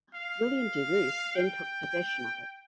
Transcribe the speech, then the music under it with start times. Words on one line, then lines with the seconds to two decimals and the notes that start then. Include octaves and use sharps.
William De Ros then took possession of it.
0.15 F5
1.36 G5